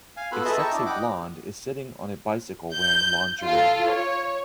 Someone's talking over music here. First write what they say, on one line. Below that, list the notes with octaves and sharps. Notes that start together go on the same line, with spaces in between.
A sexy blond is sitting on a bicycle wearing lingerie.
F5 G#5
B3 F4 F#4 A4 B5 F#6
G#4 A4 B4 D#5 E5 A5
D#5 E5 G5 A5 A#5 C#6
D4 E4
D#5 F#5 G5 D6
G6
F4 A4
C#5